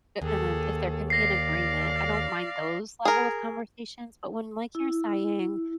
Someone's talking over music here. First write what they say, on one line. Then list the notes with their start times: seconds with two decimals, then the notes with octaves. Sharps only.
a and then if there can be an agreement, I don't mind those level of conversations, but when, like you're saying,
0.22 D#2 G#4 A4
1.10 D5 F5 A#6 C7
3.05 G#4 A#4
4.75 E4